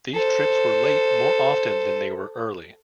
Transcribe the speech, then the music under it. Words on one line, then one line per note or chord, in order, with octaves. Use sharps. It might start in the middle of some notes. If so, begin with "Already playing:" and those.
These trips were late more often than they were early.
A4 C5